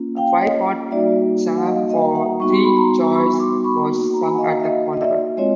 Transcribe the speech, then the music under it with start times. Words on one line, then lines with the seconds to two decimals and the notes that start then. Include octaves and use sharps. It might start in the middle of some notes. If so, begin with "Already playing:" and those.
A five-part psalm for three choirs was sung at the funeral.
Already playing: A#3 C#4 F4
0.17 F5 G5
0.41 C#5 D#5
0.91 G3 A#3 D#4 F#4 D5 E5
1.57 F#5
1.66 D#5 F5
1.90 D#5 F5
2.15 E5 F#5
2.40 G3 B3 D#4 F#4 C#6
2.52 C6
2.65 B5
2.77 A#5 C6
3.14 B5 C#6
3.40 C6 D6
3.64 B5 C#6
3.89 A#3 D#4 F#4
4.14 A#5
4.20 B5
4.28 G#5 A#5
4.33 F#5
4.39 D#5 F5
4.60 E5
4.64 D#5 F5
4.93 D#5
5.01 D5 E5
5.37 G#3 C4 F4 C#5 D#5